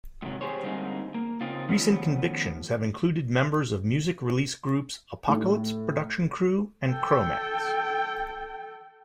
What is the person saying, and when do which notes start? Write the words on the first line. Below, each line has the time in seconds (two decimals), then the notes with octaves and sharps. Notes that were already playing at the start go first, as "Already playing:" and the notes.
Recent convictions have included members of music release groups Apocalypse Production Crew and Chromance.
0.22 G#2 C3 D#3 F#3
0.41 G4 G#4 C5 C#5
0.63 D3 G3 G#3 A#3 C4 D#4
1.14 A#3
1.41 C#3 A#3 C4 D#4 F4
1.69 D#3 F3 A3 B3 C#4
5.29 A2
6.90 A4 G5